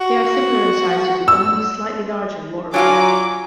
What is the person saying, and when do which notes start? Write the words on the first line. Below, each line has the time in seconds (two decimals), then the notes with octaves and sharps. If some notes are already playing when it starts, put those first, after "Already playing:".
They are similar in size to the only slightly larger water rail.
0.01 F#4
1.28 E6
2.74 F#3 D4 F4 G#5 A#5 D6